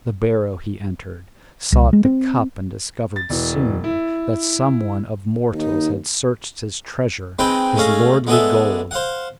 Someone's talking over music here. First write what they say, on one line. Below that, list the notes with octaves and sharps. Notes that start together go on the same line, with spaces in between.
The barrow he entered, sought the cup, and discovered soon that some one of mortals had searched his treasure, his lordly gold.
C2
G#3
C4
A6
E1 E3
E4
D#2 D#4
G#3 C4 D#4 B4 G5
G#3 A3 C#4 F5 A#5
G#3 B3 D4 G#4 A4 E5
C5 F5 F#5